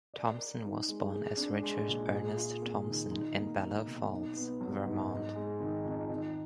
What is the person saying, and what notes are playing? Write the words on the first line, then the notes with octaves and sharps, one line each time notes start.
Thompson was born as Richard Ernest Thompson in Bellows Falls, Vermont.
D5
A#4
D#4
G#3
G#4
D4
G#3
A#2
G#4
F4
A#3
D#3
D#4
A#3
F#3
B2
D#4
B3
F#3
G#2
D#4
G#3
D#3
F2
D#3